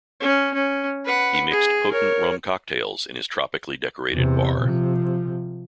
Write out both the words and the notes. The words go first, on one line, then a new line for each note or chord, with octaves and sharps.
He mixed potent rum cocktails in his tropically decorated bar.
C#4
C#4
B4 F#5
G#4
A#4 C#5
E2 C3
C3 F3